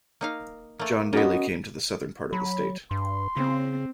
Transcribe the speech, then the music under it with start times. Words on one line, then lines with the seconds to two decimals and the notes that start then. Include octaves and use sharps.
John Daley came to the southern part of the state.
0.21 A#3 D#4 F5
0.79 A3 A#3
1.13 A#3 B3 C#4 F#4 D#5
2.33 F#3 B5
2.91 G2 C6
3.37 C#3 C4